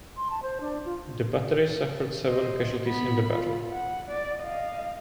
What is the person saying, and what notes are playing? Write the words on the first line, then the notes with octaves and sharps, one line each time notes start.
The battery suffered seven casualties in the battle.
C6
A5
C5
D4
F4
C5 D#5
B3 B5
F4
F#5
D5
D#5 F5